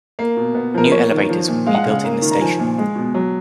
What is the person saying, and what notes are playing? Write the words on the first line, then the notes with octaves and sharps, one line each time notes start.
New elevators would be built in the station.
A#3
B2
B3
F3 A#4
B4
A#3 C#5
D#3
F3
A#2
G#3 F5
F#5
C#3 F5
A#3
D#3
A#5
F3 G#5
A#2
G#3
B2
F#3